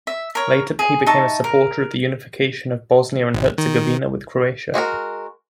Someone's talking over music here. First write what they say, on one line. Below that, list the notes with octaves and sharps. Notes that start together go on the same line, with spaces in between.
Later he became a supporter of the unification of Bosnia and Herzegovina with Croatia.
E5
A#4 C#5
G#4
D#4 E5 A5 C#6
A#4
G#1
D#3
G#3 F#4 G#4 A#4